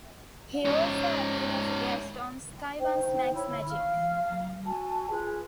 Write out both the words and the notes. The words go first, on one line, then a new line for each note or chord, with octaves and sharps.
He also appeared as a guest on Sky One's Max Magic.
G#2 C#4
D#4 C5 G5
E4 C#5 B5 C6
F5 F6
F#4 G#5 A5
F4 G#4 B4